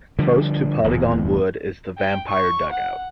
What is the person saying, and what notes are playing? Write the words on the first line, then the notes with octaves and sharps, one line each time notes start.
Close to Polygon Wood is the Vampire dugout.
D3 F3 G3
D1 E2
G5
C#6
F#5